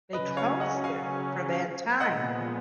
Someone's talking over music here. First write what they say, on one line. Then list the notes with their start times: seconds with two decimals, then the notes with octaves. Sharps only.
they closed it for that time.
0.13 C#3 F#3 C#4 B4 D#5
0.37 C#5 F5
0.60 D#5 F#5
0.84 F5 G#5
2.00 A#2 F3 G#3 B3 D#5 F#5